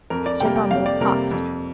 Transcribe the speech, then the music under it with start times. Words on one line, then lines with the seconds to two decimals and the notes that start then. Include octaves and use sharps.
Mr. Bumble coughed.
0.10 F2 A#4
0.26 D5
0.40 C3 G3 A#3 G5
0.56 G5
0.70 F2 F5
0.86 D5
1.01 C3 G3 A#3 A#4
1.31 F2